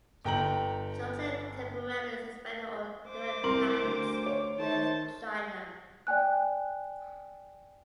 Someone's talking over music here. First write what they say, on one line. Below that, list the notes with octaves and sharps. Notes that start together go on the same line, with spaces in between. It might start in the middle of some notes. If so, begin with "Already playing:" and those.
Georgia temporarily suspended all direct flights with China.
G1 G5 A#5 F#7
C5 D6
C2 A#4 C6 F#7
D2
C#5
D#3 C5 A5
D5 G5 G#5 F#6